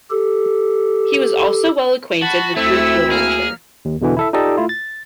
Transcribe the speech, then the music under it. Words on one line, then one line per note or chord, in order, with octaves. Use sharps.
He was also well acquainted with Greek literature.
G4 A4
F#4 A5 B5
D2 A3 C4 E4 E5 E6
A#3 G#4 F6
D#2
E2 B2 D3 E3
E4 A4 E5
D#4 F4 G4 A4 D5 D#5
A3 E4 F4
A6